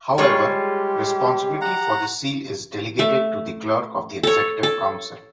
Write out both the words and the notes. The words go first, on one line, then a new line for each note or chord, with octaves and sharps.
However, responsibility for the seal is delegated to the Clerk of the Executive Council.
G3 G#3 F4 G4 G#4 C#5
F#5 A#5
A3 E5
A4 C#5
A4